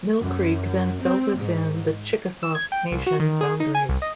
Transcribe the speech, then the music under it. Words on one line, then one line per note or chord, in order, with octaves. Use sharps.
Mill Creek then fell within the Chickasaw Nation boundaries.
F#2
C4
G#2
E6
G#6
G5
C2
F#4
D#3
G#4
D#4
G#5
C2
D#5